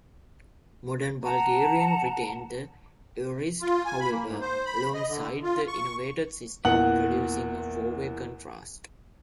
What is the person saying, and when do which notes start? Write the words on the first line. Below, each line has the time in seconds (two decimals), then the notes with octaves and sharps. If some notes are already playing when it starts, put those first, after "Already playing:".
Modern Bulgarian retained the aorist, however, alongside the innovated system, producing a four-way contrast.
1.23 F#5 A5 A#5
3.62 F4
3.86 G#5
4.00 B5
4.12 A#3
4.27 G#2
4.41 C5
4.66 B5
4.94 D#5
5.08 D3
5.43 F4
5.68 C#6
6.65 E2 A#2 F#5 F#7